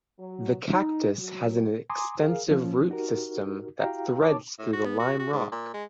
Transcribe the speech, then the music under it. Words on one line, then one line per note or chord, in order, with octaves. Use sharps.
The cactus has an extensive root system that threads through the lime rock.
F#3
D#4
F#3
G#5 A#5 C6 D6 D#6
G#4 A#4 F5
F3 C#4
D#4 F#4 G4 A#4
E4 F#4 G4 F5 G5 A#5
D#4 C#5 A5 D6
A2
F#4
B3
F#4
F#4
G#2
A#2
G#3